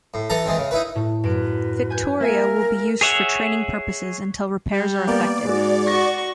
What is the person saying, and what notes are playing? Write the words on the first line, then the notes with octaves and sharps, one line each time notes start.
"Victoria" will be used for training purposes until repairs are effected.
A2
E3 A4 A5 A#5
E3 G#3 C4
C#3
D#4 E4 B4
A2
F#2 B4 D7
G#5 G6
A#3 A#4 E5 G#5
G#4 C#5 E5 F#5
G3
A#3 B3 A#4 D5
G#2 G#3 F#4
F#4 C#6 A#6